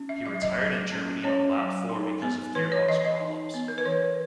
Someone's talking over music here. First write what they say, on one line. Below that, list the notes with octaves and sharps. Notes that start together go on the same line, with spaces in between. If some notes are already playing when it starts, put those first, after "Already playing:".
He retired in Germany on lap four because of gearbox problems.
Already playing: C#4
E5
F#3 E5
D#5
F#3
C#4
C#4 C#5
F#3
D#4
B3
E3 B4
C#5
E3 D#5
D#5
D#4
B3
A#4
B4
E3 C#5
B4